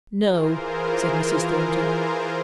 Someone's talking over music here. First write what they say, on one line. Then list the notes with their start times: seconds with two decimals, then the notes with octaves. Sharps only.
'No!' said Mrs. Thornton.
0.23 E3 F4 G#4 A#4 C5